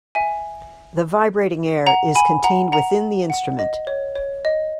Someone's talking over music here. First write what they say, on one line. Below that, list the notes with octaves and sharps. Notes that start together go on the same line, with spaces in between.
The vibrating air is contained within the instrument.
E5 G#5
F#5 A#5
G#5 B5
F#5 A#5
F#5 A#5
F#5
D#5
C#5
C#5
D#5